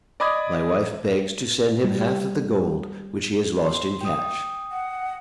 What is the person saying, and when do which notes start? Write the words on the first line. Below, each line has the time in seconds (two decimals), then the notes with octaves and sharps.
My wife begs to send him half of the gold which he has lost in cash.
0.20 D5 D#5 B5 D6 D#6 G#6
1.84 G3
3.66 C6
4.01 G5 D#6
4.72 F#5